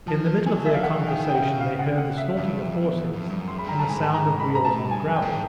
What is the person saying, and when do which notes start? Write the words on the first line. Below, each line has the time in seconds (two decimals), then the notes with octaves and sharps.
In the middle of their conversation they heard the snorting of horses and the sound of wheels on the gravel.
0.07 F3 A5
0.46 F#3 G#5
0.66 E5
0.74 F5
0.83 E3 F#5
1.09 D#3 G5
1.29 G5
1.34 C#3 F#5
1.60 F5
1.79 F#5
1.98 F#5
2.18 E5
2.37 G2
2.61 F2
2.87 E2
3.13 F2
3.29 G2
3.38 F#2
3.48 C6
3.59 B5
3.64 G2 A#5
3.79 A5
3.89 G#2 G#5
4.03 A5
4.14 A#5
4.40 B5
4.55 A#5
4.65 A2 A5
4.84 G2
4.91 G#5
5.04 F#2
5.16 G5
5.22 G#2